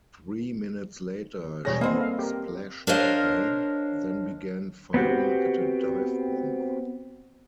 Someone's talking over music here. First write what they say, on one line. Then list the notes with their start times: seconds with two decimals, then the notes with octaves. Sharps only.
Three minutes later, she splashed a plane, then began firing at a dive bomber.
1.65 E1 G3 G#4 C#5 A#6
1.81 A#3 C4 B4 D#5 F#5
1.97 A4 F5
2.19 G4 A#4
2.87 D4 A#4 C5 C#5 D#5 F5
4.94 B3 C4 F#4 G4